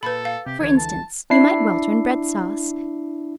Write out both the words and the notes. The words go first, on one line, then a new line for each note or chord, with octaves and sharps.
For instance, you might welter in bread-sauce.
A#2 A#3 A4 B4 B5
F5
C3 G4
C#2 D3 E3 C#5
A5
D4 E4 C7